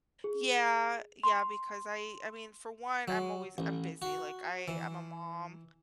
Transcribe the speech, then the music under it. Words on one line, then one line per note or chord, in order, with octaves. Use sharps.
Yeah. Yeah, because I I mean, for one, I'm always I'm busy. Like, I I'm a mom,
G#4
C6
F#3
A1
F#4
E3